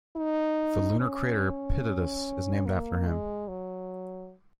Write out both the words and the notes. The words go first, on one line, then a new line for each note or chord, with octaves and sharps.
The lunar crater Pitatus is named after him.
D#4
C#4
A#3
G#3
F#3